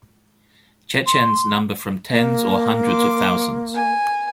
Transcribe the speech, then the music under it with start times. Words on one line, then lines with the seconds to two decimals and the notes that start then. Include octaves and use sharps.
Chechens number from tens or hundreds of thousands.
1.06 C6
2.12 A#3
2.86 C6 D6
3.75 G#5